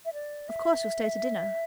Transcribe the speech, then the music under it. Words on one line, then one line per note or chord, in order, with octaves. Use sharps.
"Of course you'll stay to dinner?"
E5
D5
E5